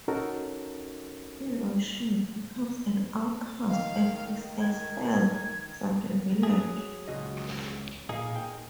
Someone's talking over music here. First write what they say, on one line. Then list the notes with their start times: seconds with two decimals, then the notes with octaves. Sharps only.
He or she becomes an outcast and is expelled from the village.
0.08 C#4 D#4 F#4 A4 A#4
3.68 D#3 F5
4.61 G#6
6.43 F#3 G#4
7.08 C#2 F#4 D#5
8.09 A#2 A#3 D#4 G#4 F5
8.36 G5